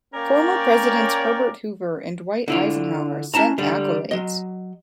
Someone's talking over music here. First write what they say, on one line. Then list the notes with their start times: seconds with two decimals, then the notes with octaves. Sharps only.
Former Presidents Herbert Hoover and Dwight Eisenhower sent accolades.
0.14 A#3 C#4 A#4 C#5 D5 G5
2.48 D3 E4 F4
3.34 C#4 E4 A5 A#5
3.58 D3 G3
4.11 F#3 D#5